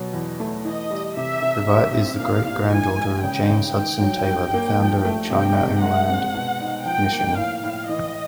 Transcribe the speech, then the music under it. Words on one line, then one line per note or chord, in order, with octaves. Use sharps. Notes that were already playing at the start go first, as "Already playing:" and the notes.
Previte is the great-granddaughter of James Hudson Taylor, the founder of China Inland Mission.
Already playing: B2 F#3
E2
A3
E3 D#5
G3
C3 E5
C3
G3 E5
C4
A#2 F5
E4
E3 G#5
G#3
C#3 G5
C#3
D#3 G5
F#3
G2
A#3
F3
A3
C3 G5
C3
G#3 F#5
C4
B2
D#4
F3 G5
A#3
A2 F5
A2
E3 D#5